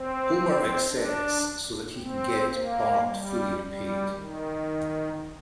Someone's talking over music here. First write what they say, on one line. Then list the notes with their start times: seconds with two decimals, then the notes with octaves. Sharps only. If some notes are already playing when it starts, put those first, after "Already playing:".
Homer accepts so that he can get Bart fully repaid.
Already playing: C4
0.90 D4
1.98 C4
2.52 A#3
3.05 G3
3.59 G3
4.12 D#3